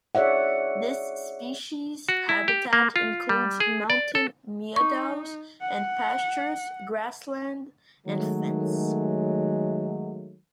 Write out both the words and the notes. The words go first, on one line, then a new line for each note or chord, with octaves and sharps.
This species habitat includes mountain meadows and pastures, grassland and fens.
G#4 C#5 D5 E5 F#5
F#4
E4
G4
A#3
F4
G3
G#4
D5
A4
D#4 C#6
F#5
D#3 F#3 G#3 A3